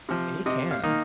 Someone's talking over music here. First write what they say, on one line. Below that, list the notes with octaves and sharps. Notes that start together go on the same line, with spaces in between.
A can.
C3 F3
C3 D#5
F5
D#3 A#3 D#4